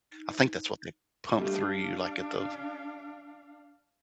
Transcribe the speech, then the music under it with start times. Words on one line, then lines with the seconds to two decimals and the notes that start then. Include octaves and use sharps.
I think that's what they pump through you, like, at the f
0.12 D#4
1.38 G3 A3 D4 F5